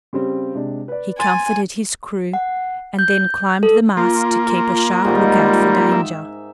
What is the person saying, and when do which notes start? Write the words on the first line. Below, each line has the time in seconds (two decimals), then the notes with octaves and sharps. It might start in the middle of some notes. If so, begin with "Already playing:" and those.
He comforted his crew, and then climbed the mast to keep a sharp lookout for danger.
0.13 C#3 G3 C4
0.55 C3 G#3 D4
0.88 B4 D5
1.19 G#5 C6 A6
2.33 F#5
2.99 G6
3.63 A4
3.97 A#3 F4
5.05 G#2 D#3 G3 A#5
5.91 E5